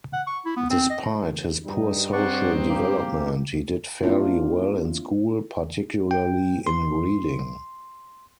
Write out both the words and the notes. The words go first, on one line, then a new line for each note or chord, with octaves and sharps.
Despite his poor social development, he did fairly well in school, particularly in reading.
F#5
C#6
E4
B3
C4
D#5
G2 G3 D#4
C4 D5 F#5 C#6
A#3 G4
A#3 C4 D4 E4 F4
G5
C6